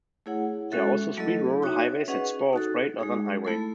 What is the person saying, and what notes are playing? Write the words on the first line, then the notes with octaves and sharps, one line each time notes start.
There are also three rural highways that spur off Great Northern Highway.
A3 E4 G#4 C#5 F#5
G#3 C#4 F#4 A4 E5
F#3 A3 E4 A4 D#5
D#4 F#4 C#5 E5
C#4 G#4 B4 D#5 F#5
D#4 F#4 A4
G#3 D#4 G#4
A3 E4 A4